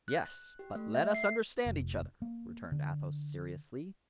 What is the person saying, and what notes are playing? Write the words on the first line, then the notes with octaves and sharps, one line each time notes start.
"Yes, but let us understand each other," returned Athos, seriously.
F#6
G4
A3
E5
C7
F1
A#3
D3